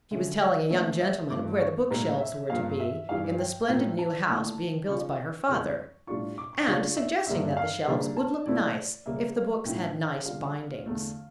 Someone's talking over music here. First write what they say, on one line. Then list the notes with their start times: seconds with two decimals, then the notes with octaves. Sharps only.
She was telling a young gentleman where the book-shelves were to be in the splendid new house being built by her father, and suggesting that the shelves would look nice if the books had nice bindings.
0.11 D3 F3 C#4 F4 E5
0.41 D5
0.70 A#2 A3 C#4 E5
1.00 E5
1.30 G2 F3 A3 D6
1.60 C#6
1.91 A2 G3 A#3 E4 A#5
2.20 E5
2.49 G2 F3 A#3 F5
2.80 E5
3.09 G2 E3 G3 F5
3.39 G5
3.69 A2 F3 A#3 E4 G5
3.99 A5
4.29 A#2 A3 E4
4.88 C#3 F3 C#4 F4 C#6
5.48 F2 C#3 E3 G3
6.07 A2 G3 D4 F4 C#6
6.38 D6
6.53 C#6
6.67 C#3 G3 D4 F4 C#6
6.97 E5
7.27 G2 D3 G3 A#3 D4 E5
7.57 F5
7.87 C#3 G3 A#3 D4
8.17 A5
8.46 A#2 A3 E4 D5
9.06 C#3 G3 A#3 E5
9.36 F5
9.65 A2 F3 C#4 E4 G5
10.25 D3 G3 C#4 F4 F5
10.86 E2 D3 A3